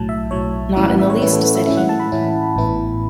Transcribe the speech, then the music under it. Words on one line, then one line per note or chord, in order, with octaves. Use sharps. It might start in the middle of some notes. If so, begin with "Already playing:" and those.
"Not in the least," said he.
Already playing: B1 A2 F#3 A5
E5
B1 A2 F#3 C#5
A2 E3 C#4 E4 E5
F#5
E5
C#5
A2 E3 C#4 E4 B4
A4
B4
E5
A2 E3 C#4 E4 E5
F#5
A5
B5
A2 E3 C#4 E4
A1 A2 E3 B3 E4